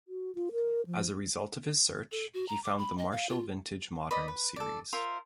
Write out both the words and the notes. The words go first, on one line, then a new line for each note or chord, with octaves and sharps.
As a result of his search he found the Marshall Vintage Modern series.
F#4
F4
A#4
F3
A4
F#4
A#5
D6
B5
D#5
F5
F4
B4 D5 D#5 B5
B4
A4 D5
F4 A#4 C5 E5